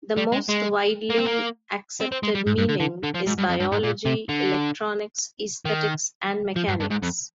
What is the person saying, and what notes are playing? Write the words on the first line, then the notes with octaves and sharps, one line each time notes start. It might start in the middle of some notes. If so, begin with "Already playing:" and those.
The most widely accepted meaning is "Biology, Electronics, Aesthetics, and Mechanics".
G3
G#3
G#3
A#3
C4
A#3
C4
C4
G#3
G3
G#2
G2
D3
D3
D3
F3
G#2
G2
F2
G2
G#2
A#2
C3
D3
D#3
F3
G2
G2
G#2
F2